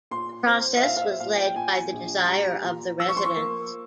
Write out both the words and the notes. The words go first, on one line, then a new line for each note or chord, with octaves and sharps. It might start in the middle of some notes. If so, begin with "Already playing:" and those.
The process was led by the desire of the residents.
A#2 C6
C4
E5
A#2 F5
F5
E5
A#2 F5
G5
A#2 G#5
A#1
G3 A#5
A#2
F3 E6
C#6
C6
C#6
A#3